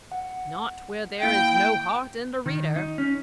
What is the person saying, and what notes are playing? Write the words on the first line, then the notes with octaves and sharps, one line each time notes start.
"Not where there is no heart in the reader."
F#5
A#3 E4 G5
D#3
D#4
C#4